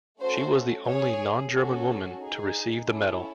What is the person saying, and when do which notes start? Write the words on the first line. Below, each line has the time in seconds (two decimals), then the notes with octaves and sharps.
She was the only non-German woman to receive the medal.
0.20 A3 C#4 F#4 A4 C5
0.87 C#4 G#4 C#5
1.54 C#4 F#4 A4
2.20 D#4 G#4
2.88 C#4 E4 A4